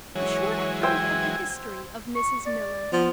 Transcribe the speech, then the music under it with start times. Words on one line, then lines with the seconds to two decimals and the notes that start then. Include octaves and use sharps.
A short account of the history of Mrs Miller.
0.15 E3 F#3 G#3 C#5
0.83 C5 E5 G5 G#6
2.15 C#6
2.46 D5
2.92 F3 B3